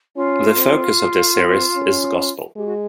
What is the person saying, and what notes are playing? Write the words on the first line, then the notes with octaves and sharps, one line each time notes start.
The focus of this series is gospel.
C#4 F4
C4
C4
C#4
G#3 G4
F#4